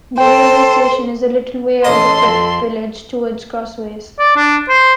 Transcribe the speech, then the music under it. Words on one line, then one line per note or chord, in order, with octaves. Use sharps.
The railway station is a little way out of the village, towards Crossways.
A4 C5 G5
A1 C#4 A4 D#5 C6
F2
D5
D4
C5